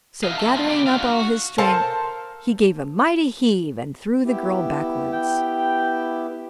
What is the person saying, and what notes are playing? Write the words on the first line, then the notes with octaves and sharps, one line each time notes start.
So gathering up all his strength, he gave a mighty heave, and threw the girl backwards.
E4 F#4 D#5 F5
F2 E5 A5
F3 G#3 A3 B3 C4 F4
C#3 G4 D5
D4 F#4 F5
F#4
A4 A#4 C5 F5 A5
B3 E4 G4
G5